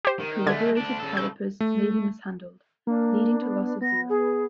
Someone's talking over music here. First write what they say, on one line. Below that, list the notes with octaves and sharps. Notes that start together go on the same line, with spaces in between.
Calibrated calipers may be mishandled, leading to loss of zero.
G4 C5
D#3
D3 G#3 A3 G#6
D2 D4
C#3 A4
G6
A3
A#3 D4
B3
B3 A#6
G#4